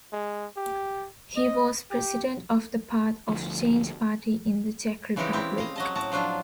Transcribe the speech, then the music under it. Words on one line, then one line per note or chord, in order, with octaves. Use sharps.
He was president of the Path of Change party in the Czech Republic.
G#3
G4
D#5
G4
D2 F3
C#3 E3 G#3 C4 D#4 G4
C#3 C4 E4
D#5 F5
F#3 D#5 A5
A2 F#4 A5 A#5
F3 F#3 D4 F4